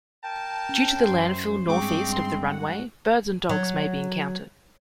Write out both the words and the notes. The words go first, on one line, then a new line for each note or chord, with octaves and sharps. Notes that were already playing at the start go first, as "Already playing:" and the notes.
Due to the landfill northeast of the runway birds and dogs may be encountered.
A#4 G5 A5
C#4
F#2 C5
G2 G#3 C4 G#4 G5 C#6 D6
C6
F#4 F#5
F#3